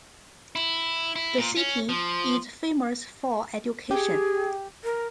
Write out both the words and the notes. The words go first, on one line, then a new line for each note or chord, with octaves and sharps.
The city is famous for education.
E4
E4
A#2
C#4
F3
G4 G#4
A#4